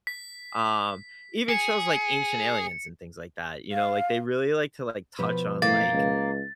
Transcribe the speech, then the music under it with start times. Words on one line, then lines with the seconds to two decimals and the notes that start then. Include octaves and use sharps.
Um, even shows like Ancient Aliens and things like that, you know? Like, they really like to, like, touch on, like,
0.07 B6
1.49 G#4 C#7
3.72 F5
5.19 B2 F3 B4
5.62 A2 A#3 A6
5.93 C#2